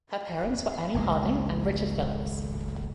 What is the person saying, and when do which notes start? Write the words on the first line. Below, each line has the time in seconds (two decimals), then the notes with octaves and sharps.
Her parents were Annie Harding and Richard Phillips.
0.95 G#1 C#2 G#3